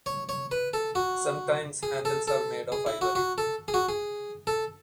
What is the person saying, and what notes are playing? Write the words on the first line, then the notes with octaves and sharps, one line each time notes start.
Sometimes handles are made of ivory.
C#5
C#5
B4
A4
F#4
G#4
A4
A4
G#4
E4
F#4
F#4
A4
G#4
F#4
G#4
A4